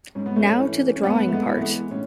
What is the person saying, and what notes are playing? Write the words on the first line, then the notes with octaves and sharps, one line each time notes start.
Now to the drawing part.
G#2 C#4
B3
A3 C#4
E3
C#4
G#2 B3 D4
A3
G#3 B3
E3
A3
G#3 B3
A2 C#4